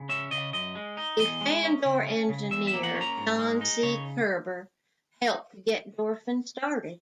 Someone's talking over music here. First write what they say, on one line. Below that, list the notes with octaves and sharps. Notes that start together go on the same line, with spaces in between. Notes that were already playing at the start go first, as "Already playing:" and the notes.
A Fandor engineer, John C. Koerber, helped to get Dorfan started.
Already playing: C#3
C#4 E5
C#3 D#5
F#2 D#5
G#3
D#4
E2 D#5
G#3
C#4
C#3
C#4
C#3
E2 E5
E5
A#3
F#5
C#4
A#5
G#2
G#3
D#4
C#3 C#5